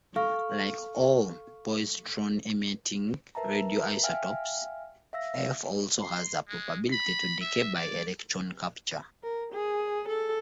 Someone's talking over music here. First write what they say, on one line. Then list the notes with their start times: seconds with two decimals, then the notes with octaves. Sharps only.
Like all positron-emitting radioisotopes, F also has a probability to decay by electron capture.
0.16 A4 F5 C#6 F6
3.35 A#4 B4 E5 A5 A#5
4.03 E5 F5 G5 G#5 F6
5.13 E5 F5 E6 A#6
6.03 C6
6.48 G#3
6.92 B5
7.41 E5
7.75 D5
9.23 A#4
9.53 G#4
10.09 A4